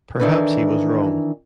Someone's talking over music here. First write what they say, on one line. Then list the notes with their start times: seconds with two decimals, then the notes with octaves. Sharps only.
Perhaps he was wrong.
0.20 D#3 E3 D4 A4 B4